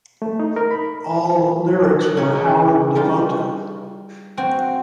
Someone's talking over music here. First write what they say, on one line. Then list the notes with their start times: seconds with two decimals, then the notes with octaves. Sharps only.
All lyrics by Howard Devoto.
0.22 A3
0.40 D#4
0.56 A#4
0.71 B5
2.17 C#3 D#4 C#5
2.95 G3 D#4 F4
4.37 C4 F#4 G5 G#5